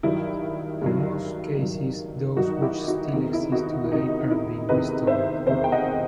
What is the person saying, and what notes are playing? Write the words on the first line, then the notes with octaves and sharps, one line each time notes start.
In most cases those which still exist today are being restored.
G2 D#3 F#3 E4
G2 D#3 F#3
G2 D#3 F#3
G2 D#3 F#3 D#4 F#4
E4 G4
D#4 F#4
E2 C3 D#3 D#4
E4
D#4 F#4
E4
E4
E2 C3 D#3 D#4
E4
E2 C3 D#3 B4 D#5
C5 E5
E2 C3 D#3 C5 E5
G5
D#5 F#5